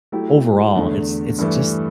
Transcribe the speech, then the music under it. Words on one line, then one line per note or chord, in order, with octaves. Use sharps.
overall, it's it's just,
F#3 A3 E4 G4
E2 D3 A3
G2 E3 A3